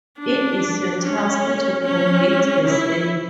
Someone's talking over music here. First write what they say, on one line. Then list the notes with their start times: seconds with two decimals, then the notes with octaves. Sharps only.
It is your task to complete the sale.
0.19 D4
1.02 C#4
1.84 C#4
2.68 E4